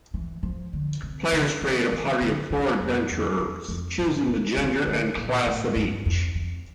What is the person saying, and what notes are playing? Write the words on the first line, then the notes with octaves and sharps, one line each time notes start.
Players create a party of four adventurers, choosing the gender and class of each.
E3
F3
D3
C3
D3
E3
E3
D3
C3
F2
E2
F2
F2
G2
E3
E3
D3
A#2
A2
G2
F2
F2